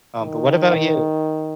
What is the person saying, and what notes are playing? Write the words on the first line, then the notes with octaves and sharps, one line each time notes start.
Um, but what about you?
D#3